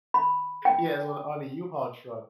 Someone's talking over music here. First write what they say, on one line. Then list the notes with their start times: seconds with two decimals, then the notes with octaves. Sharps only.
Yes, on on a U-Haul truck,
0.14 B5
0.65 G5